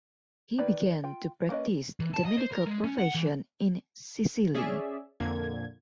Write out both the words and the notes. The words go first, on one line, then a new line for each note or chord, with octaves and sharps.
He began to practise the medical profession in Sicily.
D#3 B4 D5 B5
F4 G5
A#3 B3 C#4 B4 D#5
E3
A5
D#5
C5
A#4
G#3
C#4
F#5
E3
C#4 G#4 D5 E5
F2 A#2 D3 A#3 G#6